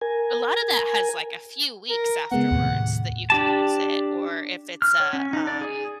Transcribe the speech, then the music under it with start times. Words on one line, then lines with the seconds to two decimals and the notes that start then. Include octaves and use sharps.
a lotta that has, like, a few weeks afterwards that you can use it, or if it's a, um
0.01 A#4 G#5
1.90 A#4
2.32 C#3 G#3 B3 F#5
2.51 D#2 A2 C3
3.30 D4 G4 A5
4.82 F6
5.00 C#5
5.13 C#4
5.33 D#4
5.47 D5
5.61 G#4